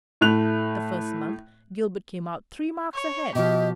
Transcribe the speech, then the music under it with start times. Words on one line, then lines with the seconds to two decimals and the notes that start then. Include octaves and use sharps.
The first month Gilbert came out three marks ahead.
0.21 A2 A3 F#6 F7
2.94 C#5
3.35 B2 F3 G4 D#5